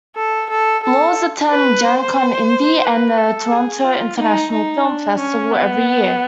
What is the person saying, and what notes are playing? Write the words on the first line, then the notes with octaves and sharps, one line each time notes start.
Laws attends Gen Con Indy and the Toronto International Film Festival every year.
A4
A4
A4
B4
C5
B4
A4
G#4
F4
D#4
D#4
D4
C#4
B3